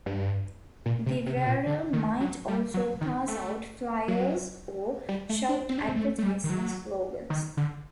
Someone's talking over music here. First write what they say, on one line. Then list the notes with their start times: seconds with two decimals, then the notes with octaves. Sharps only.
The wearer might also pass out flyers or shout advertising slogans.
0.06 G2
0.86 A#2
1.06 C3
1.26 C3
1.37 C3
1.46 A#2
1.67 D3
1.93 D#3
2.20 F#3
2.48 G3
2.74 F#3
3.01 D#3
3.28 A3
4.08 F#3
5.09 G3
5.29 A3
5.49 D4
5.69 C4
5.78 D4
5.87 C4
5.96 A3
6.18 A3
6.23 G3
6.44 D#3
6.50 F#3
7.30 D#3
7.57 D3